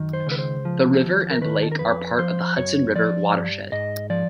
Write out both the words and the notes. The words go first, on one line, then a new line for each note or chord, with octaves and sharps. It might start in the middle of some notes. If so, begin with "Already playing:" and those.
The river and lake are part of the Hudson River watershed.
Already playing: F#2 D#3
C5
C#2 B4
C5
F3
D#2
A#4
D#3 B4
A4
A#4
F2 B4
F3 C5
F#2 C#5
F3 D5
G2
G#2 D#5
F3 D5